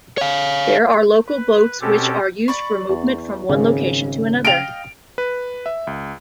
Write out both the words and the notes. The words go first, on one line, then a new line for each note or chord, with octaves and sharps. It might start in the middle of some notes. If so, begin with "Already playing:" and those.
There are local boats which are used for movement from one location to another.
C#5 F5
B4
B2 C4 C#4 G4 A4
D5 B5 C#6
E2
G#1 C#3
D#5 F5 G5 D7 F7
B4
E5
C#2